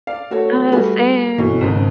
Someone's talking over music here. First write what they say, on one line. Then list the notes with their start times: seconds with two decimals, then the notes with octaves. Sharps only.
Uh, same.
0.07 D5 F5
0.31 A3 F#4 A4 C#5
0.72 G3 A3 F#4 G#4 B4
1.38 G1 B2 E3
1.61 G#1 G#2 C#3